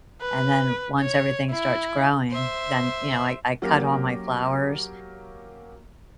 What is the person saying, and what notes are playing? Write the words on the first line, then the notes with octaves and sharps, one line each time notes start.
and then once everything starts growing, then, you know, I I cut all my flowers
B4
C#5
E4
C5 E5
F#3 A#3 C#4 G4 A#4